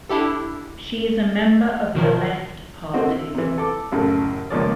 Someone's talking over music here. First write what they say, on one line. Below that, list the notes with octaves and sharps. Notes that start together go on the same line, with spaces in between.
She is a member of the Left Party.
D4 E4 G4 A4
B2 D#3 F3 A#4
D3 D#3 C4 D#4 F#4
E4
C3 E3
A4 D6
A1 F#2 C#3 A4
C#2 A#2 D#3 F3 C#5 D5